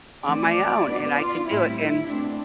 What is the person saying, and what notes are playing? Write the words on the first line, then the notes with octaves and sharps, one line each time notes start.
On my own, and I can do it, and
E3 A3 C4 D5
B2 B3 D4
F4
A2 G3 C4 E4
E4
B2 A3 C4 D4